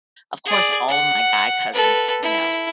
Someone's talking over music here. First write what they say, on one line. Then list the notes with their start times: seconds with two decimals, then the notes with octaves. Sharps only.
of course, all my guy cousins know
0.46 G#4 D5
0.88 F#5
1.73 A4 B4
2.22 E4